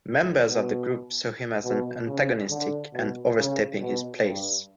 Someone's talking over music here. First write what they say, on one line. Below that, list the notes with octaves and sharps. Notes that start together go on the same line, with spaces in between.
Members of the group saw him as antagonistic and overstepping his place.
A2
B2
B2
C#3
D3
B2
C#3
B2
G2